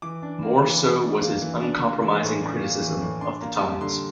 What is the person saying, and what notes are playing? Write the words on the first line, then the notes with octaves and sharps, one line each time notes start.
More so was his uncompromising criticism of the times.
E3 D6
D4
A#3
E3
E3
D4
A#3
E3
D4
A#3
E3
A2
D4
A#3
E3
A2
D4 C6
A#3 A#5
G3 A5
D3 C6